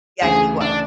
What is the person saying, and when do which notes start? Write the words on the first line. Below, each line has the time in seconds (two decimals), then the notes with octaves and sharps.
Yeah, he wa
0.22 D2 C#3 E3 A3 G#4
0.61 D4